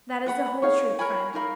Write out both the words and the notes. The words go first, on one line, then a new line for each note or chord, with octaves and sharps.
That is the whole truth, friend.
B4 F#5 B5
D#4 G#4 C#5 F5
A#4 C#5 G#5 B5
D#4 A#4 F5 B5